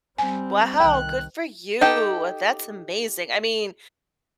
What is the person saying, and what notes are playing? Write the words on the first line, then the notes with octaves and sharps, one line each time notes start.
Wow, good for you, that's amazing. I mean,
G3 C4 G#5
C2 D#3 G5 F#6
D#4 G4 A4 G5